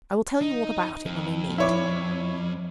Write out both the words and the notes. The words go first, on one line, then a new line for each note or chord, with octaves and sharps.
I will tell you all about it when we meet.
D#4
F2
E4 C#5 D6